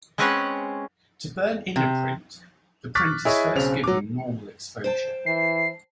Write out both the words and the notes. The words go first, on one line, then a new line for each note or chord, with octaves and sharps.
To burn-in a print, the print is first given normal exposure.
G#3 C4 C#4 B4 C#5 F#5
C3
C#6 D6 F6 F#6 A6 B6
E4 G#4 C#5 D#5
B1 C#3 C4 F7
F#3 D6
C5 G5 A5
E3 C7